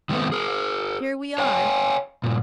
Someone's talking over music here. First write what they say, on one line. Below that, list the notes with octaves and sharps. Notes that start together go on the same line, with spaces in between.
Here we are!
D#3 G#3 A3 B3 C4
G#4 A#4
C#5 F5 G5 G#5
G2 A#2